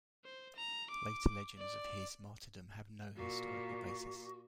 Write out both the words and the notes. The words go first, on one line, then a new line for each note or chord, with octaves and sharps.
Later legends of his martyrdom have no historical basis.
C5
A#5
D6
D5
A#2 F#4